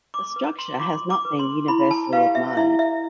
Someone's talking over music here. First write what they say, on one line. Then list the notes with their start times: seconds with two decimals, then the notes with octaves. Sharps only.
The structure has not been universally admired.
0.14 D6
0.36 B4 D6
0.59 C6
0.80 F4 D6
1.10 D6
1.25 B4
1.39 C6
1.68 E4 B5
1.91 A5
2.13 G4 B4 F5
2.35 E5
2.57 E4 E5
2.79 E5